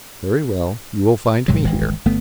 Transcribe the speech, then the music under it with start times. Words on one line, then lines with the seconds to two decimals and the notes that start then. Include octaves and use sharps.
"Very well; you will find me here."
1.48 A#1 G#2 C3 F#3
1.64 D#1 G#1 E3 G#3
2.05 G1 A3 B3